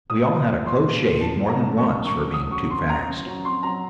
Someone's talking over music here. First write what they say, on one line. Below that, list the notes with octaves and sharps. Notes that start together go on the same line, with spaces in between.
We all had a close shave more than once for being too fast.
A#2 D#6
A#2
F3
F3 C6
A#2
A#2
F#2 A5
F#3
A#5
D#3
F#2 C#6
F#2
C#6
F#3
F#2 D#6
F#3 C#6
C#3 C6
F#2 A#5
F#2
F#3
F2 C6
F#3 A#5